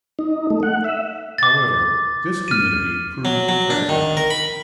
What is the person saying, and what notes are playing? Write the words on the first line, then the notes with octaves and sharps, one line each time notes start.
However, this community proved fragile.
D#4
A3
F#5
E5
D6 A6
F6 D#7
F#3
F#3
D4
D#3
A#4
B5